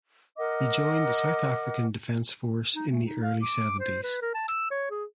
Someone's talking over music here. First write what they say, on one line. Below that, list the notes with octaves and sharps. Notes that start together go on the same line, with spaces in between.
He joined the South African Defence Force in the early seventies.
A#4 D#5 F#5 D6
D#4
A3
D#4
F5
D6
C5
B4
A#4
A5
E6
C#5
G#4